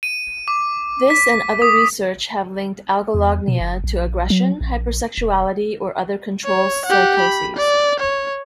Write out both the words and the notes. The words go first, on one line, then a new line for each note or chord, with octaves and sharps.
This and other research have linked algolagnia to aggression, hypersexuality, or other control psychoses.
D#7
D6
B6
D#6
E2
B2
F#1
A#1
F#3
A#1
E1
C#5
G4 F#5
B5
D5
C#5